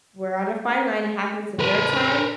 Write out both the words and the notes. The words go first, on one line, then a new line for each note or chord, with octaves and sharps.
we're on a fine line. It happens a third time,
A#4 B4